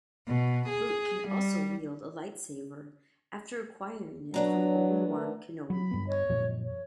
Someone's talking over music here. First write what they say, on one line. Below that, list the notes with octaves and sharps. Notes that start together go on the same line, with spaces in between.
Luke can also wield a lightsaber after acquiring it from Obi Wan Kenobi.
B2
G#4
G3
F#3 B3 D4 A#5
A3 A#4
F#3 B5
G2 B3
C#5 D#5
F#2 A#2 F3
C#5